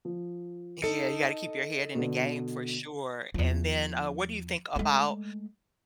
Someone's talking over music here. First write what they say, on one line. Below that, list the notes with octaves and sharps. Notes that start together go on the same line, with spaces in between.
Yeah. You gotta keep your head in the game for sure, and then, uh, what do you think about,
F3
D#4 A4 D#5 C#7
B2 D3
E2 F3
G#3 A3